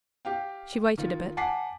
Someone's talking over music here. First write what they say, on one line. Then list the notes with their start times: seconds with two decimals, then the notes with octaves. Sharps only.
'She waited a bit.
0.25 G4 F5 G5
0.98 D#3 F4
1.37 F#5 G#5 A5 D6 B6 C7